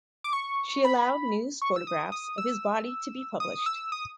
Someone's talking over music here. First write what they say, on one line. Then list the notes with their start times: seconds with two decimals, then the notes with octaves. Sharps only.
She allowed news photographs of his body to be published.
0.24 D6
0.33 C#6
0.85 B5
1.62 C#6
1.76 E6
1.87 D#6
2.12 D#6
2.38 E6
3.40 D#6
3.66 E6
3.92 D#6